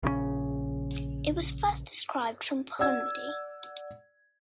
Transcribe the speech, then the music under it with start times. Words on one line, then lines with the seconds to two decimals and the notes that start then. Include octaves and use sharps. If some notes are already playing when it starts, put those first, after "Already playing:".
It was first described from Ponmudi.
0.03 A#1 C#3 E3 C#4
2.79 D5 F#5 E6 G#6